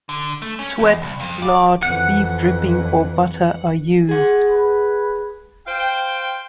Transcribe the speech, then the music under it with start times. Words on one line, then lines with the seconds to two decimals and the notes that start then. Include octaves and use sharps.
Suet, lard, beef dripping or butter are used.
0.09 D3
0.42 A3
0.59 C#4
0.79 E2
1.02 C2
1.20 F2
1.42 D5
1.83 F2 E3 F#5
4.09 G#4 F#5
4.48 B4
5.67 C5 F5 G5